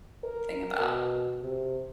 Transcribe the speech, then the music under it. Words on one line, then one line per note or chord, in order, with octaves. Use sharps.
thing about
A#4
B2
C3